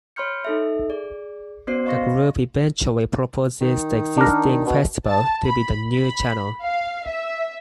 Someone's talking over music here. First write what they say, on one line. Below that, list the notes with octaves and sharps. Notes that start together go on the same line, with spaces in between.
The group eventually proposes the existing "Festival" to be the "new" channel.
C#5 B5 C6 F6 G6 C#7
D#4 A4 E5
G#4 D5
B3 C#4 F#4 C5 D5 C7
D#5 F5 C6 C#6 A#6
D#3
D4 A#4
B2
A5
B5
B5
F5
E5